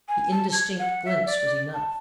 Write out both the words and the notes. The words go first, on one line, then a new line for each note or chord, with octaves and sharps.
The indistinct glimpse was enough.
G#5
A5
G#6
F#5
E5
D5
A5